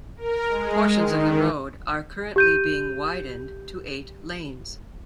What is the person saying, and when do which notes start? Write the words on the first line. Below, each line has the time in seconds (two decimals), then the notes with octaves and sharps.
Portions of the road are currently being widened to eight lanes.
0.17 A#4
0.47 G#3
0.92 D#3
2.36 G4 G6 D#7